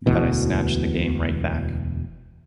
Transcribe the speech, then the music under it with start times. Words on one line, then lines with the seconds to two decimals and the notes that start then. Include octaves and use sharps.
But I snatch the game right back.
0.06 E1 D2 B2 E3